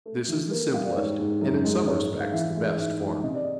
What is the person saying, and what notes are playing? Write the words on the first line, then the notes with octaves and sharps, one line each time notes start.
This is the simplest, and in some respects the best, form.
A3
E3
A#3 A#4
G3 F5
D5
G#2 C#5
G#2
F#2
G#3
G#2 C#5
G#2
F5
E3 E5
G#3
D#5
G#2 E5
G#2
C3 D#5
D5
D#5